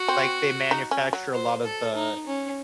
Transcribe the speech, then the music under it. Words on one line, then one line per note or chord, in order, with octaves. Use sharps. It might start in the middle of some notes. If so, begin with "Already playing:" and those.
Like, they manufacture a lot of the
Already playing: F#4
C4
D#4
C#4
F#3
C5
A4
D#4
C#4